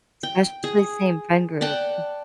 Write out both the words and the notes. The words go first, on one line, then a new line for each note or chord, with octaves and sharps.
Especially same friend group. Mm.
G5
G#4
D5 F#5 G5 A5